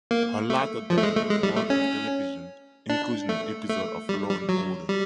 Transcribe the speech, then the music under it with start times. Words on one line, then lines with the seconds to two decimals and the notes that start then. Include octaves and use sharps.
Her latter-day work in television included an episode of "Law and Order".
0.11 A#3
0.50 A3
0.90 F3
0.98 A3
1.03 G#3
1.17 A3
1.30 G#3
1.43 G3
1.56 A3
1.70 C#4
2.90 D4
3.29 A3
3.69 A3
4.09 G3
4.29 G3
4.49 F#3
4.89 G3